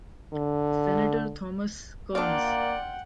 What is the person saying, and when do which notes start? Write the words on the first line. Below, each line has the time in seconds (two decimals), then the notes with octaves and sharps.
Senator Thomas Kearns.
0.33 D3
2.15 A#3 D4 F4 D5 F#5 G5